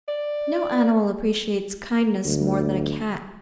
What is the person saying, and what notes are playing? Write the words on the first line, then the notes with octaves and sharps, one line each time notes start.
No animal appreciates kindness more than a cat.
D5
D2